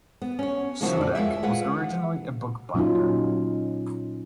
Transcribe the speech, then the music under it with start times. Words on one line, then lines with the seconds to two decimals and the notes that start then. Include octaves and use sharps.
Sudek was originally a bookbinder.
0.22 B3
0.39 C#4 C#5
0.81 C#3 F3 F#3 A#3 E4 F#4
0.97 F2 D5
1.15 D#2 G#3 F4 E5
1.43 G#3 F4 B4 F#5
2.74 A#2 F#3 C#4 D#4 F4